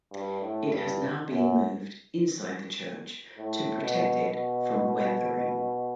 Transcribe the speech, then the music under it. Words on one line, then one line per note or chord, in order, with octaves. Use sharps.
It has now been moved inside the church to protect it from weathering.
G2
A2
G2
F#2
A2
B2
B2